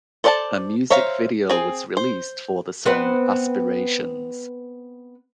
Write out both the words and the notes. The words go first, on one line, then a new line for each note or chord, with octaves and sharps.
A music video was released for the song "Aspirations".
A4 C5 D5 F#5 A5
C5 C#5 E5 F5 A#5
C4 G#4
C5
B3 C4 B4